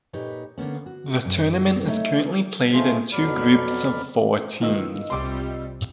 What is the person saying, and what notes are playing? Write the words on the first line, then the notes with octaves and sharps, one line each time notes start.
The tournament is currently played in two groups of four teams.
A#2 D#4 G4 B4 C#5
D3 A#3 B3 C#4
F#4
F#2
A3 D#4 C#5 E5
E3 G#3 A3 F4 G#4 C5
F2 B2 F#3 D5 B5 F6
D#3 E3 F4 D#5 E6
C2 C3 G3 C6 D6